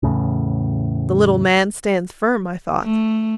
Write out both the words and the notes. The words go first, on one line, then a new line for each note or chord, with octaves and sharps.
The little man stands firm, I thought.
E2 A2 C#3
A3